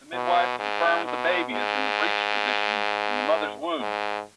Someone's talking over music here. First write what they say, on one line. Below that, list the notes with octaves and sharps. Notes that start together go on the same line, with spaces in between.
The midwife confirmed the baby is in the breech position in the mother’s womb.
B2
G#2
B2
G#2
G#2